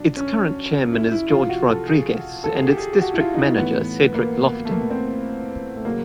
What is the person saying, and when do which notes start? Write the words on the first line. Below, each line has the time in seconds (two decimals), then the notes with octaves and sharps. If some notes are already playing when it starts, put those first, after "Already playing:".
Its current chairman is George Rodriguez, and its district manager Cedric Loftin.
Already playing: B2 F#3 D4
0.17 C#4
0.93 E4
1.12 E4
1.30 C3 F3 F4
1.49 F#4
1.68 A4
1.87 G#4
2.44 A4
2.55 G#4
2.67 G4
2.78 G#4
2.93 G4
3.01 F#4
3.14 E4
3.20 F4
3.34 D#4
3.39 E4
3.58 A2 E3 B3
4.14 A#3
4.65 A3
4.71 A#3
4.90 C4
5.76 A3
5.85 C#3 F#3 A#3